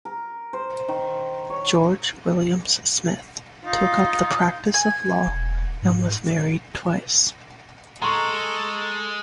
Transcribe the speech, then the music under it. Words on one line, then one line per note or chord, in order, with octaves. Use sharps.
George Williams Smith took up the practice of law, and was married twice.
A#4
C5
D#3
C#5
D#4 F4
G#5
E1
G#2
G#3 A4 A#5 C6 C#6 F#7